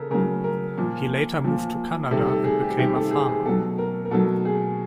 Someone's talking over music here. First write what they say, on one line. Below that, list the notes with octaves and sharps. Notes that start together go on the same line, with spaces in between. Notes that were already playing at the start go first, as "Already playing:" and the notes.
He later moved to Canada, and became a farmer.
Already playing: C#3 A4 A#4
C#3 F#3 A#4
A#4
A#2 F3
A#2 F3
C3 D#3 G3 A4
A4
G#4
G4
C3 D#3 G3 G4
A4
G#4
G#4
B2 F#3 A4
A#4
A#4
B2 F#3 A4
G#4